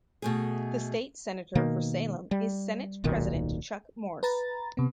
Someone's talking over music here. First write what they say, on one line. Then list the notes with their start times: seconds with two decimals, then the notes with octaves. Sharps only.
The state senator for Salem is Senate President Chuck Morse.
0.22 B2 A3 G#4
1.55 B2 D#3 A#3
2.31 G3
3.04 D1 B1 A#2 D#3
4.23 B4 A#5 A6
4.77 C3 B3